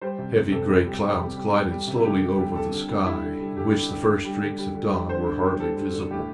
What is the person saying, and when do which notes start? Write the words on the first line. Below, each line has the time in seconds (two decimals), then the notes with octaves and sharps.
Heavy grey clouds glided slowly over the sky, in which the first streaks of dawn were hardly visible.
0.02 G3 C5
0.18 C3
0.35 C3
0.52 C3 A4
0.69 C3
0.86 G3
1.03 G3 G4
1.20 C3
1.37 G3
1.54 G3
1.71 G3
1.87 C3
1.95 E4
2.04 D3 G4
2.21 D3
2.38 G3
2.55 G3 A4
2.72 D3
2.89 D3
3.06 G3 E4
3.23 D3
3.40 G3
3.57 D3 G4
3.74 D3
3.91 D3
4.07 D3
4.25 G3
4.42 D3
4.58 G3
4.75 D3
4.92 G3
5.09 D3 C5
5.26 D3
5.43 G3
5.60 G3 A4
5.76 G3
5.94 D3
6.11 A2 G4